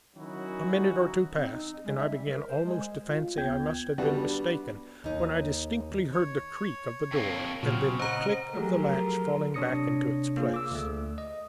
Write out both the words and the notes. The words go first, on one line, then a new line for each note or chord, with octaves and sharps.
A minute or two passed, and I began almost to fancy I must have been mistaken, when I distinctly heard the creak of the door, and then the click of the latch falling back into its place.
D#3 F#3 C#4 D#4 E4 F#4
C4
D#4
G#3
E5
G3
A#4
C5
G#3
F4
D2 B3 G5 G6 G#6
G3 B3 D4 F#4
D#2 D#4
C#5
F2 A#3
A#2 C#3 F#3 C4 F6
C5 D#5 F#5 A#5
F3 F#3 A3 G4 G#4 A#4
C3 D4 C#5 D#6 A#6 C#7
A#3 F4 G#4
D6 E6
D2 A3
D#5